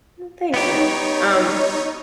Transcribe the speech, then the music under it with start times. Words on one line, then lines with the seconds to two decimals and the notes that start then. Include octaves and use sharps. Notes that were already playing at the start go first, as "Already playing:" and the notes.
Mm, thank you. Um,
0.54 B3 D#4 G4 C#5